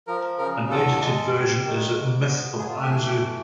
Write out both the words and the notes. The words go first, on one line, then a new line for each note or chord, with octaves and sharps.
An edited version is at "Myth of Anzu".
F3 A#4
C#3 A#4
E2 A4
G#3
G3
D#3
G#2
B3
A3 G#4
F4
F#4
G4
E3 G#4
G4